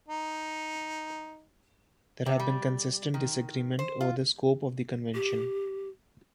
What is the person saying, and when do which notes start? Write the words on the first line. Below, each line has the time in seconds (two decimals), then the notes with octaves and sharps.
There have been consistent disagreement over the scope of the convention.
0.08 D#4
2.26 C3
2.39 G3
3.14 D#3
3.79 C5
4.01 F4
5.14 G4